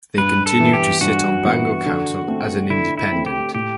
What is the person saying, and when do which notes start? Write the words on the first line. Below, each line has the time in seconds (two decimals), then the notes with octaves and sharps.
They continued to sit on Bangor Council as an independent.
0.18 G2 B4
0.46 A4
0.60 E3 B3
0.73 G4
1.01 G2 F#4
1.44 E3 B3
1.86 D3
2.27 A3 C4
2.70 D3 E4
2.98 E4
3.12 A3 C4
3.26 G4
3.54 A2 G4